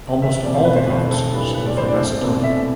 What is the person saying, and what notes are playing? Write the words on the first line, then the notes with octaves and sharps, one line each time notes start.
Almost all the officers were from Macedonia.
E1 E5
E2 B2 A3 C4 D5
C5
E1 B4
C5
E2 B2 A3 C4
B1 A4
A2 G3 B3 D4
B1 B4
D5
A2 G3 B3 D4 C5
D5
C2
B2 A3 C4
C2 E5